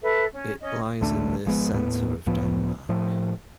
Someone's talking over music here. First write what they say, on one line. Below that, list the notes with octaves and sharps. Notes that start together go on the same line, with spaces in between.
It lies in the center of Denmark.
A4 B4 E5
C#4
C#4 D#5
A1 D2 A3 D4
G#1 F3 G#3 B3
D#2 A2 A3 B3
C#2 A2 F3 B3
A2 F3